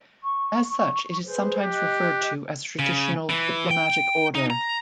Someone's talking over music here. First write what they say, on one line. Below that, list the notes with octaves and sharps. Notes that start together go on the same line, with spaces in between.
As such it is sometimes referred to as a traditional "diplomatic order".
C#6
G#4 B4 C5
G4 D#5 F#6
C#3
E3
G5
D#4
A#5